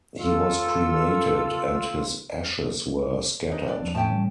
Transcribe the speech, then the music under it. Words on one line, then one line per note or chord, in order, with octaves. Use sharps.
He was cremated, and his ashes were scattered.
F4 A4 E6
D4 D#4
D4 D5
E2 F3 C4
A2 C#4 G5 A5
E3 F#3 G3